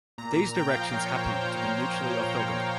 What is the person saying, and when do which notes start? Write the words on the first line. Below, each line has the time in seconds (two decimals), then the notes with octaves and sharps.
These directions happen to be mutually orthogonal.
0.18 A#2 A#5
0.37 A#5
0.43 A#2
0.56 G5
0.69 F3
0.75 F5
0.93 F3 C#5
1.13 C5
1.19 A#2